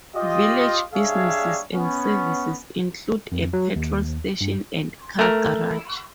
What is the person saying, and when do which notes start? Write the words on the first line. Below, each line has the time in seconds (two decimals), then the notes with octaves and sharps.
Village businesses and services include a petrol station and car garage.
0.16 F4 G4 D#5
0.94 G3 D4 G#4 C#5 E5 F5
1.73 B3 C#4
3.32 F2
3.53 F#3
3.76 D#2
4.41 G2
5.19 A3 A#4